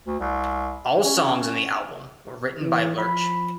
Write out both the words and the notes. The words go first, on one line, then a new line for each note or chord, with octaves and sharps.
All songs on the album were written by Lerche.
D2
C2
C#4
E3
F3 B5